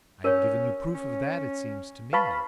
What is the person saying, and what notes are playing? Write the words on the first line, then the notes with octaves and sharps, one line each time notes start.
"I have given you proof of that, it seems to me."
C#4 A#4 C#5
C#4
B4 F5 A5 B5 C#6